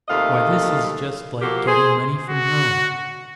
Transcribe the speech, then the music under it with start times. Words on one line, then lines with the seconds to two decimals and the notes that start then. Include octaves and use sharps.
"Why, this is just like getting money from home."
0.08 D#2 C3 A3 D#5 F5
1.42 F3 A#3 F#4 G4 A4
1.67 G#4 C5
2.29 F#4